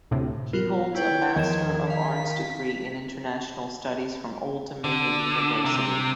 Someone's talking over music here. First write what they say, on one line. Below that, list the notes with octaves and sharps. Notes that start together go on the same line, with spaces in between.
He holds a Master of Arts Degree in International Studies from Old Dominion University.
D2 A2 C3
B3 F4 A#4
E4 B4 C#5 G5
E2 D#3 F3 D#5 G#6 E7
F5 B6
D3
C3